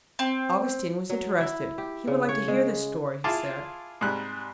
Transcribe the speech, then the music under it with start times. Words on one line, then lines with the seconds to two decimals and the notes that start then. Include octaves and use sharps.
Augustine was interested; he would like to hear the story, he said.
0.19 C4
1.10 F#3
1.41 E4
1.78 G4
2.07 C#3
2.29 C#5
2.48 G#3
3.24 E4 F4 G#4 A5 C6 D6
4.01 G#2 C3 G3 F#6